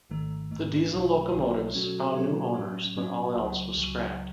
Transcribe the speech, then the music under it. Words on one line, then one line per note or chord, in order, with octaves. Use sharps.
The diesel locomotives found new owners, but all else was scrapped.
G#1 G#2 D#3 A3
G#1 G#2 D#3 A3
B1 B2 F#3 A3
B1 B2 F#3 A3
B2 F#3 C#4 F#4 A4
B2 F#3 C#4 F#4 A4
A2 F#3 C#4
A2 F#3 C#4
C#2 C#3 F#3
C#2 C#3 F#3